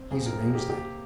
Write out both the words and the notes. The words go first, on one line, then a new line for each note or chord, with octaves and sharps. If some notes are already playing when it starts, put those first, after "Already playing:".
He's arranged that.
Already playing: C4
F2 G#4
A#4
A#3 G#4
G4
C3 G4